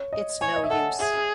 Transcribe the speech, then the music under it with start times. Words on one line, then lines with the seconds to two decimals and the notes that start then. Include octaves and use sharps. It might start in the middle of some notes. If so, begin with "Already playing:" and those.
It’s no use.
Already playing: C#5
0.13 D#5
0.41 C#5 G#5
0.56 D#5
0.64 E5
0.70 A4 F#5
0.99 G#4 E5